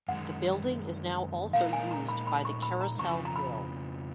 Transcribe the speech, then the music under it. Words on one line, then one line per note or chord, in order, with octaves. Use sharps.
The building is now also used by The Carousel Grill.
F#2 D#3 G#3 F#5
A#2 G#3 D#4 A#4 F5
G#5
A#5
B5
B5
C#6
B5
A#5
F2 C#3 F3 C#6
A#5
B5